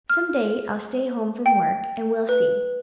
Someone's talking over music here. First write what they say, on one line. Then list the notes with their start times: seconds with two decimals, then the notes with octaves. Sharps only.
"Some day I'll stay home from work, and we'll see."
0.10 F6
1.46 G5
2.29 B4